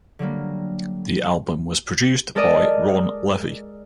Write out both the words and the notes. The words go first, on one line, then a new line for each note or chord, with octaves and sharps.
The album was produced by Ron Levy.
D3 F#3 G3 A#3
G#3 A4 A#4 D5 D#5